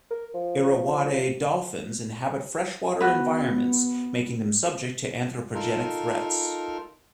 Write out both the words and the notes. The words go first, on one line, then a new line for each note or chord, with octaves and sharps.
Irrawaddy dolphins inhabit freshwater environments making them subject to anthropogenic threats.
A#4
F3
B3 F#4 B4
D#4 F4 A4 A#4